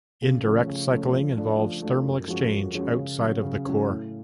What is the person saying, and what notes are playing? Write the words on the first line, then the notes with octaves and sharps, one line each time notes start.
Indirect cycling involves thermal exchange outside of the core.
C#3
F3 A3 C#4
C#3
F3 A3 C#4
F3
A3 D4 F4
F3
A3 D4 F4
F#2
F3 G#3 C#4 F#4
F#2
F3 G#3 C#4 F#4
C#3
F#3 C#4
C#3
F#3 C#4
A2